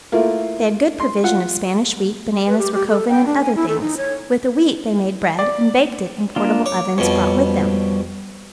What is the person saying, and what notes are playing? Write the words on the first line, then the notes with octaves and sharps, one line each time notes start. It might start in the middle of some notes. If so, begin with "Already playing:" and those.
They had good provision of Spanish wheat, bananas, racoven, and other things; with the wheat they made bread, and baked it in portable ovens, brought with them.
A3 A#3 E4 F4
C6
F4 F#5
B4
G4
G4
A4
G5
D4
G#5
E4
A4
D#4
C#5
D5
A#3 D4 F4
C#5 D6
F2 B2 G3 C#5